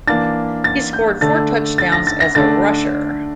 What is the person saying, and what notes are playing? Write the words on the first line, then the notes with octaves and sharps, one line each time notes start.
He scored four touchdowns as a rusher.
E3 A#3 D4 A6
A6
G6
D3 A3 D4 A6
A6
A#6
A6
A#6
D3 A3 D4 A6